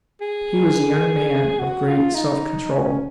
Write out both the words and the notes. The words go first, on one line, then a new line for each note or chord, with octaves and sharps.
He was a young man of great self-control.
G#4
F#4
F4
D#4
C#4